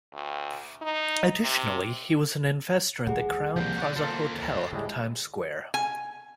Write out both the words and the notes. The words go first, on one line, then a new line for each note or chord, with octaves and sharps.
Additionally, he was an investor in the Crowne Plaza Hotel, Times Square.
D2
D#4
C3
D2 D#3 G3 G#4 F#5
C2 F3 A#3 G6
F#4 D5 F#5
A#3 F4 A4 C5
A2 D3 G3 G#3
G#5